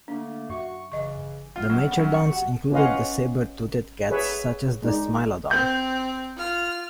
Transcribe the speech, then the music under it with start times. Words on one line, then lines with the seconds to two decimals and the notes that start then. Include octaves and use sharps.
The machairodonts included the saber-toothed cats such as the "Smilodon".
0.08 D3 A3 A#3 D4
0.50 F#2 F#4 E5 C#6
0.92 C#3 E3 D#5 C#6
1.56 F4
1.70 F#2
1.87 B3
1.99 F#2
2.14 C#6
2.32 F#4
2.72 C#4 F4 B4 D#5 F5 F#5
4.10 G#4 B4 C#5 E5
4.82 G#3 D#4 D5
5.51 C4 G6
6.36 F4 F6